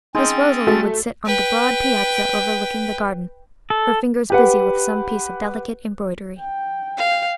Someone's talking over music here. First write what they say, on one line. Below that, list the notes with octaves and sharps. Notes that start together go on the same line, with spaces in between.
Miss Rosalie would sit on the broad piazza overlooking the garden, her fingers busy with some piece of delicate embroidery.
G#3 C4 C#4 D#4 G5 A6
A3 F#4 A5
B4 G5
A4
G4 B4 F#5
G5
F5